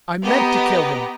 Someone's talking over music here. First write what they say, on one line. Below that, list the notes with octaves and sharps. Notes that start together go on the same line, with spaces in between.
I meant to kill him.
B3 G4 B4 D#5 A#5